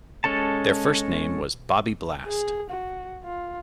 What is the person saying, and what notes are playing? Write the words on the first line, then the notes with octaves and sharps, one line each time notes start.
Their first name was "Bobby Blast".
G#3 C#4 A4 A5
G#4
F#4
F4